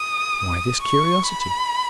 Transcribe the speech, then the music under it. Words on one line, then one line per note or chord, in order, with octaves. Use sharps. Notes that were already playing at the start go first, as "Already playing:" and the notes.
Why this curiosity?
Already playing: D#6
C#6
B5